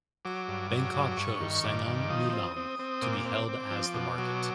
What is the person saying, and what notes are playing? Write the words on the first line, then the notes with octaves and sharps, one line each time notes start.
Bangkok chose Sanam Luang to be held as the market.
F#3 D6
G2
F#3
G2
G2 C#6
D#3
G2 D6
D#3
F3 D#6
C4
C4
C4
A#2 D6
C4
C4
F3
B2
F#3